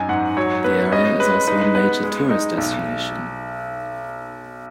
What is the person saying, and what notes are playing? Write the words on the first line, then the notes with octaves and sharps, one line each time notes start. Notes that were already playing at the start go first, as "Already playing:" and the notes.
The area is also a major tourist destination.
Already playing: F#2 D#4 G#5
G#2 F#5
F#3 C#5
B3 B4
C#4 D#5
G#3 B4
D#4 B4
B4
B3 B4
G#3
D#4
B1